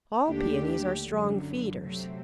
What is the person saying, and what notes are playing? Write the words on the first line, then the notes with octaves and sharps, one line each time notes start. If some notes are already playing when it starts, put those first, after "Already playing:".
All Paeonies are strong feeders.
D#2 D3 A3 D4 G4
F#2 D3 F#3
C3 F#3 A3 C4